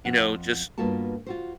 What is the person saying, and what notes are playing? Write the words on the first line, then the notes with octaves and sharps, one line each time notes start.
you know, just
F2 F4 F#5
G2 A#3 B3 F4 F#4 A5
F4 F#4 C5